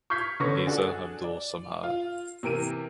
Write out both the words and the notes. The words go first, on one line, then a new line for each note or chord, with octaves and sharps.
Isa Abdul Samad.
C#6 F6 G6 G#6 B6 C7
D3 B3 C#4 C#6 A#6
D4 F#4 G#4 A4
D5
F4
C3 E3 A#4 D7 D#7